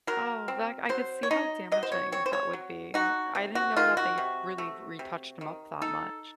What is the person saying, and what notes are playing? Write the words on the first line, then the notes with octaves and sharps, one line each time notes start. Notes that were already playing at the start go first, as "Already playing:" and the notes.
Oh, that, I could see how damaging that would be. I didn't know that they really retouched 'em up that much.
F#3 A#4
C4
F#3 C5
C#5
D#4 D#5
F#3 D#5
C5
C#5
C4 C#5
C5
C#5
F#3
D#4 F#4
C3
F#4
D#3 F4
F#4
C3
A3
C3
D#3
D#4 A4